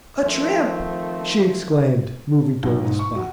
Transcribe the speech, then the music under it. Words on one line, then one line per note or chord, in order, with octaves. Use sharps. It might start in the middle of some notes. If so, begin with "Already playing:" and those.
"A tramp!" she exclaimed, moving toward the spot.
D#3 F3 A3 C4
B1
G#2
C#6
F#4